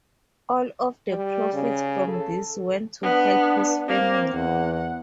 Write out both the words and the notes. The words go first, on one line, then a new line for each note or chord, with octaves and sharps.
All of the profits from this went to help his family.
G3
C#3
A4
B3 D4
A#3 C4
E2 F#5